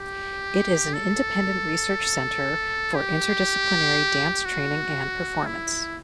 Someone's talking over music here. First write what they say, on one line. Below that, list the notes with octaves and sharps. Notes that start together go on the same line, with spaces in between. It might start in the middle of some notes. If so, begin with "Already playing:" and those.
It is an independent research centre for interdisciplinary dance training and performance.
Already playing: G4
A4
G4
F#4
E4